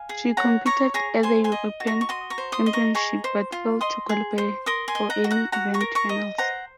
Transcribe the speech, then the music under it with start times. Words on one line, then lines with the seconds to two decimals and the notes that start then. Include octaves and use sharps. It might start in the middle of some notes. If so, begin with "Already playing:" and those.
She competed at the European Championships but failed to qualify for any event finals.
Already playing: F5 G#5
0.09 G#4
0.37 C#5 F#5 A#5
0.66 C#5 A#5 C#6
0.94 G#4 A#5 C#6
1.23 C5 G#5 C6
1.44 G#5 C6
1.52 D#5
1.80 F#4
1.87 A#5 C#6
2.01 C#6
2.09 F#4 C6 D#6
2.30 A#5 C#6
2.38 C5
2.52 C6 D#6
2.66 D#5
2.73 A#5 C#6
2.95 G#4 A#5 C#6
3.24 C5
3.52 F4
3.81 D#5 C6 D#6
4.09 G#4
4.38 C5
4.66 A#4 C6 D#6
4.88 G#5 C6
4.95 D#5
5.10 F#5 A#5
5.24 F#4
5.31 F#5 A#5
5.52 F#4 F#5 A#5
5.74 A#5 C#6
5.81 A#4
5.95 A#5 C#6
6.09 D#5
6.38 C5 F#5 A#5